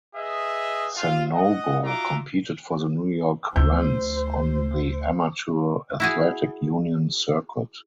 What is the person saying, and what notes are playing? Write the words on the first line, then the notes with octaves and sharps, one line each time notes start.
Sanogo competed for the New York Rens on the Amateur Athletic Union circuit.
G#4 B4 D#5 E5
F4 F5
D#5 F#5
D#4 F4 F#4 E5 A#5 D6
D2 C5 E6 G6
E4 F#4 G#4